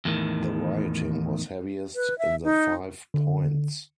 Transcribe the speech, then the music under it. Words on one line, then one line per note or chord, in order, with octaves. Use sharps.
The rioting was heaviest in the Five Points.
E2 A2 D#3
B4
E5
D#4
D3